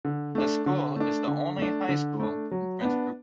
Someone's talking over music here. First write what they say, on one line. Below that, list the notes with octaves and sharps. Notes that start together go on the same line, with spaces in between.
The school is the only high school in Prince Rupert.
D3
A3 D4
D3
A3 D4
D3
A3 D4
D3
A3 D4
F#3
B3 D4